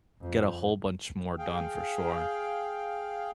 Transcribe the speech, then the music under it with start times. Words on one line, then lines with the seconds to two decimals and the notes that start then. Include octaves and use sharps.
get a whole bunch more done for sure,
0.22 F2
1.39 G#4 F5 G5